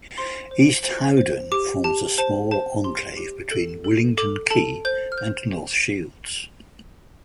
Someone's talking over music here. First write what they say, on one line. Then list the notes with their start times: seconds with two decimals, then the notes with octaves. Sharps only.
East Howdon forms a small enclave between Willington Quay and North Shields.
0.18 C5 C6
0.51 C5
0.84 C5
1.17 C5
1.52 G4 D6
1.84 G4 A5
2.18 C5 A5
2.51 C5 A5
2.84 G4 C6
3.17 G4
3.51 A4
3.84 A4
4.17 A4 D6
4.50 A4 A5
4.85 C5 G6
5.12 F6
5.17 C5 G6